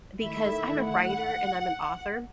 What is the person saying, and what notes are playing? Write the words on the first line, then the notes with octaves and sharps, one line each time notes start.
because I'm a writer and I'm an author,
D#3 A3 E4 E5
F#5